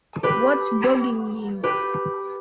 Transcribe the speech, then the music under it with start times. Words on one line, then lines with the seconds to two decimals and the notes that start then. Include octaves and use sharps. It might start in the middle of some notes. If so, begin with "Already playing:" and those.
What’s bugging you?
0.23 G4 B4
1.63 G4 B4